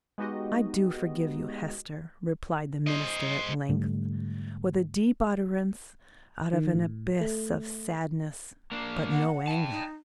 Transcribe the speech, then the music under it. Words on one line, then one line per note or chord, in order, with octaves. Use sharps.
"I do forgive you, Hester," replied the minister at length, with a deep utterance, out of an abyss of sadness, but no anger.
G#3 B3 D#4 F#4 G4 D#5
C5 D#5
G#2 D3 G3 A3
D#3
A2
A3
A#3 D4
F#5
G5 A5
D#4